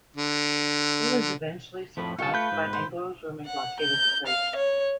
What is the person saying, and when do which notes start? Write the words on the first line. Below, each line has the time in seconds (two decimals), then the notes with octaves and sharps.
It was eventually suppressed by an Anglo-German blockade of the coast.
0.16 D3
1.97 F2 A2 F3 B5
2.19 C2 F4 G4 F5 A5 C#6
2.34 A3 B4 B5 G6
2.52 G#2
2.73 C5
3.46 F#5
3.80 G6
4.27 F5
4.56 C#5